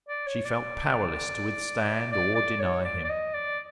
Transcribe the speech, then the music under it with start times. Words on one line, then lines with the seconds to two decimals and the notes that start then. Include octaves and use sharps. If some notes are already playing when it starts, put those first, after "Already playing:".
She felt powerless to withstand or deny him.
0.09 D5
0.27 C#5
0.45 D5
2.12 D5
2.35 D5
2.60 C#5
2.85 D5
3.04 D5
3.09 D#5
3.34 D5